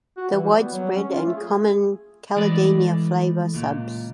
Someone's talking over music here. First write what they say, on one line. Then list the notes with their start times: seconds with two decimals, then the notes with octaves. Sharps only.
The widespread and common "Caladenia flava" subsp.
0.17 F#4
0.31 E3
0.44 G3
0.58 B3
0.72 F#3
0.96 C#4
1.13 F4
1.25 A3
1.37 G#4
2.36 E3 G#3 A3 D5
3.54 C#2 A#2